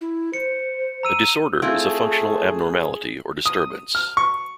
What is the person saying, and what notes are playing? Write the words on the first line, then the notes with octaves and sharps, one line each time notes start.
A disorder is a functional abnormality or disturbance.
E4
C5 C#7
A#5 E6 D#7
A3 C4 E4 F4 G#4
D#6
F6
C#6